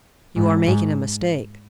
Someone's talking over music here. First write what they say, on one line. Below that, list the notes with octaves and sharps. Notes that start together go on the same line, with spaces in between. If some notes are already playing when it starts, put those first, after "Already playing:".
"You are making a mistake."
G#2
G#2